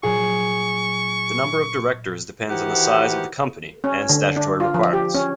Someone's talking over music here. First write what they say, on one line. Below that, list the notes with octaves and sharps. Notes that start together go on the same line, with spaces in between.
The number of Directors depends on the size of the Company and statutory requirements.
A#2 F#3 G#4 C#6
D#3 E3 F#4 G4 C5 F#5
C#4
D3
D4
F4
F3
G4
C#4